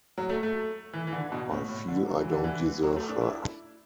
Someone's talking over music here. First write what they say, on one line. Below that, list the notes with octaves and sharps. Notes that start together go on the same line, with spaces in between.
I feel I don’t deserve her.
F#3
A3
A3
E3
E3
D3
B2
A2
A2
D3
F#3
E3
D3
E3
F#3
A3
D4
E4